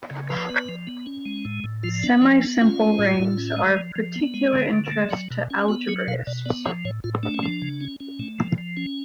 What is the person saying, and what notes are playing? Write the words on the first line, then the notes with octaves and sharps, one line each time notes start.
Semisimple rings are of particular interest to algebraists.
C#3
F3 B4
B3
F3
B3
C#4
G#3
A2
A2
F3 F4
B3 D4
F3 C#4
B3 D4
C#4 F4
G#3
A2
A2
C#4
G#3
F3
F3
B3
G#3
D3
D3
A3
F#3
B2
C#4
B3 F#4
F#3 G#4
B2 F5
B2 D5
B3 D5
F3 C#5
A2 C#5
A2 F4
A3 D4
C#4
F3 D4
C#3
C#4
C#4
A3
F3
F3
C#4